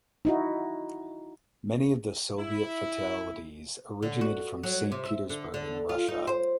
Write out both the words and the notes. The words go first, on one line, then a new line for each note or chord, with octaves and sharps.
Many of the Soviet fatalities originated from Saint Petersburg in Russia.
D#4 E4 F#4
E4
D3
F#4
F#3
C3
E5
D3
D3
F4
D#4
C5